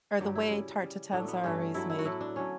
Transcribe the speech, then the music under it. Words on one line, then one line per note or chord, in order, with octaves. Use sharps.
or the way tarte tatin's are always made
G2 D3 F#3 G4
E4
C#3 G3
C#3 G3
A2 F#3 A3 D4
B3
G2 E3 A3 C#4
G2 F#3 A3 E4
E4
F#4
A2 F#3 A3 E4
D4
D3 F#3 A3 C#4